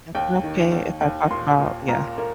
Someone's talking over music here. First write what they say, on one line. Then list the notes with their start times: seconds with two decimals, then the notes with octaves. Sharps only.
Is it okay if I talk about yeah.
0.15 D#2 G5
0.43 D#3
0.72 D#2
1.01 D#2
1.30 A#2 C6
1.59 A#2
1.88 A#2 A#5
2.18 A#3